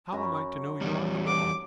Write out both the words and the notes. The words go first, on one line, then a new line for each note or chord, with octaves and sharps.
"How am I to know you're on the level?"
F#2 A#5 B5
E2 G3
D6